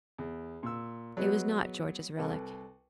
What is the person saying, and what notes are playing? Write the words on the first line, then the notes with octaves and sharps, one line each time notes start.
It was not George's relic.
E2
A#2 E6
F#3 G#3 B3
C2 A4 B4